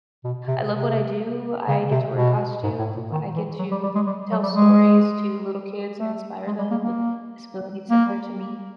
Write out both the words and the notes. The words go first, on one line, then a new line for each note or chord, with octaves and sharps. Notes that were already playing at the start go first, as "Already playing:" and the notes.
I love what I do, I get to wear a costume, I get to tell stories to little kids and inspire them with disabilities similar to me
B2
C3
C3
C#3
C3
B2
G#2
A2
A#2
D#3
E3
F#3
G3
G3
G#3
G3
F#3
G3
G#3
A3
G#3
G3
A#3
A#3
A#3